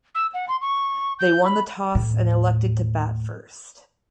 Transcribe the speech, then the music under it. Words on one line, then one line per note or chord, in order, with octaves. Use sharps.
They won the toss and elected to bat first.
E6
F#5
C6
C#6
G6
B5
D#2 A2